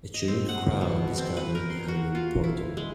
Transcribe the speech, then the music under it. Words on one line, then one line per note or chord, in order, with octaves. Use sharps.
A cheering crowd is gathered behind a reporter.
D#5
C4
F#5
B2
C4
B4
A#4
C6
F#4
F4
E4
G#3